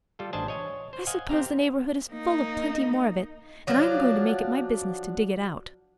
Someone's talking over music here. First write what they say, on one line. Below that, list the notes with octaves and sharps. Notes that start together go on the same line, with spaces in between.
I suppose the neighborhood is full of plenty more of it, and I am going to make it my business to dig it out.
G3 F4 A4
A1 D4 C5 D#5 G#5 A5
C#5 D#5 G#5
C5
D#5 F5 F#5 G#5
C4 G4 F5 A#5
A#3 D#4
F3 F#3 D4